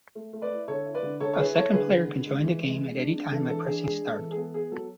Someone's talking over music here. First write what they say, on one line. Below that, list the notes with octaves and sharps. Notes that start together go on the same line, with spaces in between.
A second player can join the game at any time by pressing start.
A3
A3
B4 D5
E4
D3 A4 C#5
E4
B4 D5
D3
D3 A4 C#5
C#5
E4 G#4 B4
E4 A4 C#5
D3 G#4 B4
D3
D3
G#3
E3
G#3
G#3
D4
D4
E3 A4
E3 A4
D4 G#4
G#3 G#4
G#3
A4
E3
G#4
B3 A4
B3 G#4
F#3 A4